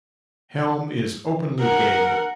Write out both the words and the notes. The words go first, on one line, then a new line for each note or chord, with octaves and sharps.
Helm is openly gay.
A#4 F#5